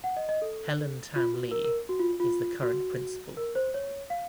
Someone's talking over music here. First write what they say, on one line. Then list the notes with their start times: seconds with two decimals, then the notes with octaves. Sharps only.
Helen Tan-Lee is the current principal.
0.04 F#5
0.17 D#5
0.29 D#5
0.42 A4
1.16 F4
1.34 F#4
1.51 A#4
1.65 A#4
1.89 F#4
2.00 F4
2.20 F4
2.63 F#4
3.37 A#4
3.55 C5
3.74 C#5
4.10 F5